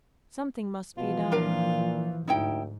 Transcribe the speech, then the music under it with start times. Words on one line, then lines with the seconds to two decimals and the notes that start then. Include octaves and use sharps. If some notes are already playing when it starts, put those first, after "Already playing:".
Something must be done.
0.97 B2 E3 F3 F4
1.32 A#2 D4 A#4 F5
2.28 D2 G#2 D#4 E4 G5